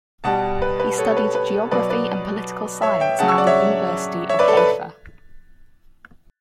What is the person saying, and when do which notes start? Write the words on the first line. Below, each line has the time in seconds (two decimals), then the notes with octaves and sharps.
He studied geography and political Science at the University of Haifa.
0.24 B2 G3 F#5 A5
0.62 B4
0.80 B4
0.98 A4 C#5
1.11 C#5
1.17 B4
1.35 B4
1.71 B2 F#3 B4 D5
1.90 B4 D5
2.82 C#5 E5
3.00 E5 G5
3.19 C#3 F#3 F#5 A5
3.28 C#6 E6
3.38 D5 F#5
3.47 C#5 E5
4.29 C#5 E5
4.39 B4 D5
4.48 A4
4.57 B4